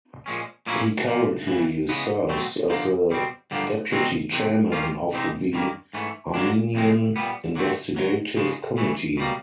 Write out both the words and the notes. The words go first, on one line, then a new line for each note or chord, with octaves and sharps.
He currently serves as the deputy chairman of the Armenian Investigative Committee.
A#2 F3 G#3 C#4
A#2 F3 A#3 C#4 E4
A#2 F3 A#3
F2 C#3 E3
C#3 E3 G#3 B3
B2 F#3 A3 C4
D3 F3 A#3 D#4
B2 G3 C4
G2 D3 F3 A#3
E2 B2 G#3 C4 D#4
E2 C3 D#3
A#2 G3 A#3 C#4 F4
C3 E3 G#3 C4 D#4
G2 D#3 G3 A#3
G#2 E3 A3 C#4
F#2 D3 F#3 A#3 D4
F2 C3 D#3 G#3
A#2 G3 B3
D3 F#3 A3 C4
F#2 C#3 F#3
C#3 F3 G#3
C#3 E3 A3
B2 G3 A#3